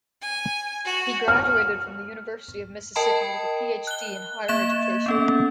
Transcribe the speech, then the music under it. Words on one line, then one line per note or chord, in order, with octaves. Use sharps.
He graduated from the University of Mississippi with a PhD in higher education.
G#5
F#4
F6
A#4 D#5 G5 A5 B5
F#6 G7
A#3 E5 G#6 E7
B3 C#4 A4